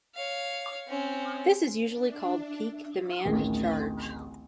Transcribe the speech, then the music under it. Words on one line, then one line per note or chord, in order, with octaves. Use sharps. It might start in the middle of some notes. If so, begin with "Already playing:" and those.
This is usually called peak demand charge.
C#5 F5
C4 C#4
D4
D1 A1 D#3 G#4